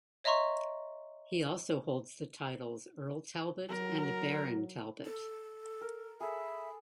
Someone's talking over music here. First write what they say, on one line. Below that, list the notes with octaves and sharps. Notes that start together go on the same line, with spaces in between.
He also holds the titles Earl Talbot and Baron Talbot.
C#5 D#5 E5 A#5 C6 C#6
F#3 A#4
A4
A#4
G#4 A4 E5 B5